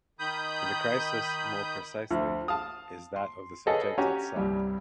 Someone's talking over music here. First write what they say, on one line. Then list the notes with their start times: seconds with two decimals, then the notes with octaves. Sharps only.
The crisis, more precisely, is that of the subject itself.
0.19 D#3 B5 D#6 G6
2.11 D2 F3
2.48 F5 A5 D#6 F6
3.16 C6
3.67 G#4 A4 B4 C#5 D#5 F5
3.98 C#4 F#4 G4 A#5
4.36 C2 G2 G3